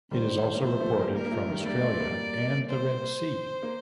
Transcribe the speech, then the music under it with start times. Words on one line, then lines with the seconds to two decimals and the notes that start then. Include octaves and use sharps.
It is also reported from Australia and the Red Sea.
0.11 D#3 G3 C5
0.55 A#3
0.62 F3 A3 C5
0.80 F3 A3
0.98 G3 A#3
1.15 G3 A#3 A#4
1.26 A#3
1.32 F3 A3
1.49 D#3 G3
1.61 A3
1.66 G3 A#3 D5
1.76 A#3
1.83 A3 C4
2.00 G3 A#3
2.69 C5
3.63 A#3